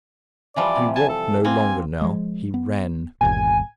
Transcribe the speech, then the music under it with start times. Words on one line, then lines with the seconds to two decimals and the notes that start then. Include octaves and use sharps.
He walked no longer now; he ran.
0.56 E3 F3 G3 D5
0.76 C3
0.96 G#5 A5
1.09 A4
1.45 A#3 C4 G#5
2.02 F3 G#3
2.54 B3
3.21 G1 D#2 A#2 G#5